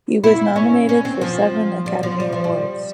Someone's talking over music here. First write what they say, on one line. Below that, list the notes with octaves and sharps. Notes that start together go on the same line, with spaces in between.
He was nominated for seven Academy Awards.
E4
C#4
C#4
C4
F3
G3
F3
G3
F3
G3